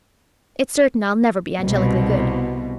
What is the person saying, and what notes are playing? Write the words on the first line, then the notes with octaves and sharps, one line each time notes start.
It's certain I'll never be angelically good.
C2 B2